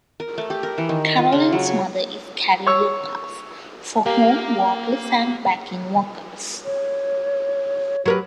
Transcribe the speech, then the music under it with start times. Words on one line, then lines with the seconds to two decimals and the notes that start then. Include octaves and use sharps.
Carolyn's mother is Carrie Lucas, for whom Watley sang backing vocals.
0.20 A#4
0.38 A3
0.50 G4
0.63 A#4
0.78 E3
0.89 D#3
1.06 D#5
1.18 F4
1.32 C#3
1.52 F#3
1.66 C#5
2.67 C#5 C#6 E6
4.06 A#3 G4 A#4 F5 A#5
6.65 C#5
8.06 F#3 G4 A#4 B4